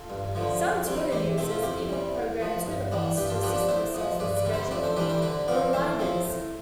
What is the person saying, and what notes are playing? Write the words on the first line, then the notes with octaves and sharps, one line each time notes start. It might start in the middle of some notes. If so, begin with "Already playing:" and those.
Some Twitter users even program Twitterbots to assist themselves with scheduling or reminders.
Already playing: F4 A4
G2
D3 F3 A3
F2
C3 G3 C4
E2 E4 G4
B2 A3 C4 E4
F4
F2 E4 G4
C3 G3
A2
F3 B3
G2
E3 B3 D4
G2 G4 B4
F4 A4
F3 B3 D4 G4 B4
B4 D5
A2 C5 E5
F3 B3
G2 B4 D5
B4 D5
D3 G3
C5 E5
F2 B4 D5
A4 C5
E3 G3 D4 G4 B4
A4 C5
D3 B4 D5
F3 C4 D5 F5
A2 C5 E5
F3 C4 E4
A2